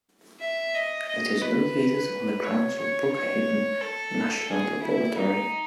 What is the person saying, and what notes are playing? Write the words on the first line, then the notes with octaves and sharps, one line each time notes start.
It is located on the grounds of Brookhaven National Laboratory.
E5
D#5
D#5
B4
C#5
C#5
C#5
A4
G#4
E4
D#4